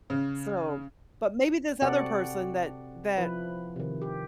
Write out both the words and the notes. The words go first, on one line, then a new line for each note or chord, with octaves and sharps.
so but maybe this other person that that
C#3
C3 C4 F#4 A4 D5 F#5
F3 E4 B4
C3 D#3
G4